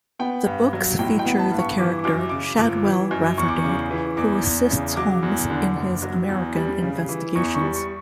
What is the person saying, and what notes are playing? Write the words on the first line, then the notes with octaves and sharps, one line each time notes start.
The books feature the character Shadwell Rafferty, who assists Holmes in his American investigations.
B3 G5
G2
F#3
A1 G5
G5
B3
A5
G2
C#6
E3 D6
F#2 D6
C#3 D6
G1 D6
E3
F#2
E2 C#6
D6
C#6
C#3
E3
E2 D6
E2
C#3
F#3 D6
E2
D3
F#1
F#3
E2
G3
C#3
E3
E2 C#6
C#6
G3
C#6